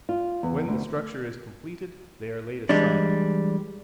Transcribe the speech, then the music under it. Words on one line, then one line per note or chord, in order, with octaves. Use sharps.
When the structure is completed, they are laid aside.
F4
E2
D2
E3 G3 G#3 D4